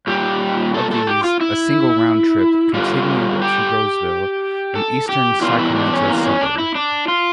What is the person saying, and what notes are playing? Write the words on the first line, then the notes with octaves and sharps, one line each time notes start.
Of these, a single round-trip continued to Roseville, an eastern Sacramento suburb.
A#2 G3 G4
A4
A4
G4
F4
E4
G2 D3 G3 F4
G4
A4
G4
E2 E3 G3 F4
E4
D4
C#4
A#3
C#4
D4
E4
D4
F4